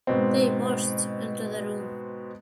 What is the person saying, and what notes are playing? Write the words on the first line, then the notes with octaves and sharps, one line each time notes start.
They burst into the room.
G#2 B2 C4